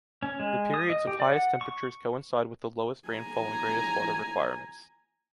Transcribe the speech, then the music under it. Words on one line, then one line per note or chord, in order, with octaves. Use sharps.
The periods of highest temperatures coincide with the lowest rainfall and greatest water requirements.
C#4
G#3
D#6
D#5
G4
D5
F#5
C#6
G#5 A#5